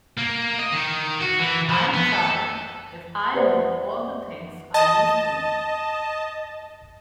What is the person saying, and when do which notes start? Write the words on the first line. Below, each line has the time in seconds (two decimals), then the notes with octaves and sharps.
I’ll try if I know all the things I used to know.
0.17 A#3
0.59 D#5
0.72 D#3
1.21 F#4
1.39 E3
1.69 F3
1.94 B3
2.12 A4
3.34 G4 B4 C5 D5 E5 F#5
4.74 D#5 A5